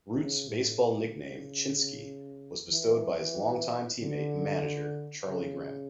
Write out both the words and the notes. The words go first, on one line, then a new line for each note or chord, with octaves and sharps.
Root's baseball nickname, "Chinski," was bestowed by his longtime teammate and manager, Charlie Grimm.
C#3
A2
C#3
E3
D3
C#3